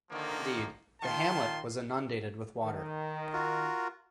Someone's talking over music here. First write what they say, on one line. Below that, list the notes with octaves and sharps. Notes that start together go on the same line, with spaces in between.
Indeed, the hamlet was inundated with water.
D3 D#3 F3 A#3
D#3 F4 A5 C6
D#3
F4 F#4 A#4